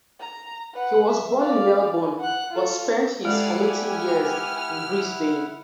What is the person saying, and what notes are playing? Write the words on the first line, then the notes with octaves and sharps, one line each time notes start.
He was born in Melbourne, but spent his formative years in Brisbane.
A#5
B4 F#5
E5
D5 F5
F#5 F#6
F4 A4
G#3 E4 G4 A4 D5 F5 F#5 G#5
F6